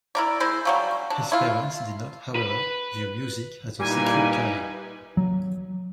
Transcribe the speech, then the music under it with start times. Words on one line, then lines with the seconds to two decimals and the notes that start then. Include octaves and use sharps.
His parents did not, however, view music as a secure career.
0.15 E4 A#4 D5
0.40 G#3 E4 C5
0.65 C#3 F#3 G3
1.10 D4
1.32 E4 F4
2.36 B4
3.80 A#2 G3 A#3 D#4 E4 B4 G#5
5.17 F#3